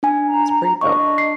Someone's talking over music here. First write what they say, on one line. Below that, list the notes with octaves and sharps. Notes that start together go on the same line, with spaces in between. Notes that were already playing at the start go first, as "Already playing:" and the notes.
It's pretty dope.
D4 G#5
A#5
D4 D#5 C#6
C7